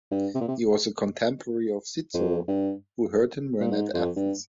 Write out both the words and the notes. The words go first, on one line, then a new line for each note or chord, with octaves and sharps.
He was a contemporary of Cicero, who heard him when at Athens.
G2
C3
A#2
C3
F2
G2
A#2
G#2
F2
G2